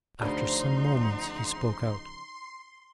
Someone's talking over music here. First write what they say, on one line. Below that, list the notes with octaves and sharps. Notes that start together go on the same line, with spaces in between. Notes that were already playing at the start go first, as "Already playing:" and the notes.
After some moments he spoke out.
D2 C#3 F3 D4 D#4 B5 C6